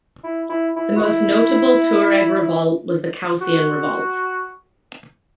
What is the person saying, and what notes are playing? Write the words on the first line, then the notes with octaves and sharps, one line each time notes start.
The most notable Tuareg revolt was the Kaocen Revolt.
E4
E4
E4
F#4
E4
F#4